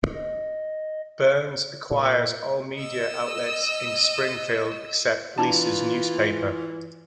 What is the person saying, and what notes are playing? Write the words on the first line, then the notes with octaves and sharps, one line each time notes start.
Burns acquires all media outlets in Springfield except Lisa's newspaper.
D#5
A#2
D#5 E6
E3 D4 F4 A5 A#5